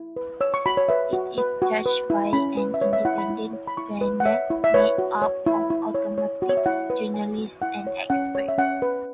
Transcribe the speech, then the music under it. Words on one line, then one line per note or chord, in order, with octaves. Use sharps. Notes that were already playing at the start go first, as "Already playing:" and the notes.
It is judged by an independent panel made up of automotive journalists and experts.
Already playing: E4
B4
C#5 E6
C#6
F#4 B5
C#5
B4 E5
F#4
B4
F#4
B4
E4
C#4 B5
B4
E5
B4 C#5
E5
E4 F#5
B5
E4
C#5
B5
E4 C#6
B4
F#5
C#5 E5
E4
E5
B4 C#5
F#4
C#5
E4
E4
C#5
C#5
F#4
C#5
E5
E4 F#5
B4
C#5 G#5
F#4
E4 F#5
C#5
C#4 F#5
C#5
E5
C#4 F#5
B4